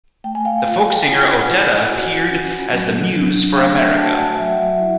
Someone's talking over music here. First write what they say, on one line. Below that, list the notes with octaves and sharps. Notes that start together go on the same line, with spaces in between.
The folk singer Odetta appeared as the Muse for America.
A3 G5
G#5
F5 G5
F4
E4 F#5 G#5
C#4
F#4
C#4
F#3
D4
A3 F5 G5
E5 F#5
F#4 G5 A5
A5
F#5 G#5
F#3 E5 F#5
E4